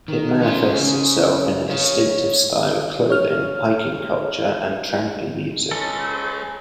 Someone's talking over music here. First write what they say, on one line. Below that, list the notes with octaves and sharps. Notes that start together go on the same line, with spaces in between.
It manifests itself in a distinctive style of clothing, hiking culture and tramping music.
D#3
C#4 F4
C#3
C#5 F5
C#5 F6
G#3 C#4 A4